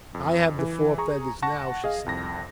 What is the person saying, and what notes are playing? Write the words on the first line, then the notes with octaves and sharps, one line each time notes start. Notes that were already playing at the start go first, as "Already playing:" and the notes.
"I have the four feathers now," she said.
F2
E3
G#4 A#5 C#6
F#5 A5 C#6 A#6
G#4 D#5 F5
C2 F2 A#6